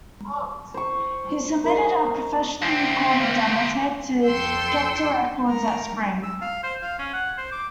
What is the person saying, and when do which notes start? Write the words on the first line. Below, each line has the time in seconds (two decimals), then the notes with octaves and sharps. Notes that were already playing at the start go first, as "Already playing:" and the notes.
He submitted a professionally recorded demo tape to Capitol Records that spring.
0.74 C5 C#6
1.64 A#4 D#5
2.62 D2 C4
4.25 F2 A4 G5 C6 E6 G6
5.47 A3 A#4
6.23 E6
6.41 F5
6.63 C5
6.83 F5
6.99 C#4
7.13 F#5
7.38 C5
7.52 D6